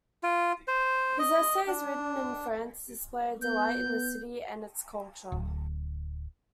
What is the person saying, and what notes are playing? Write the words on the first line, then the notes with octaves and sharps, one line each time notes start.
His essays written in France display a delight in the city and its culture.
F4
C5
D#5
D4
B3 G6
D1